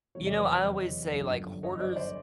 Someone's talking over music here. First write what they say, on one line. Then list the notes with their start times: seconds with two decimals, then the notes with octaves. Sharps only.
you know, I always say, like, Hoarders,
0.15 F1 E2 C3 D#3 F#3 C#5
0.27 D5
0.38 B4 C#5
0.64 C#5 D#5
1.13 G1 F#2 D3 F3
1.63 C#5 D#5
1.79 C5 D5
1.96 C5 D5